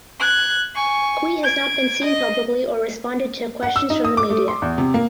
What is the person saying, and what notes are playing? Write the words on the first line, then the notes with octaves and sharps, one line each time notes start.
Qui has not been seen publicly or responded to questions from the media.
F#6 G#6
G#5 C#6
G#6 D7
D#5
F#5
E6
D#4
D#6
D6
A3
C6
E2
C3
A#3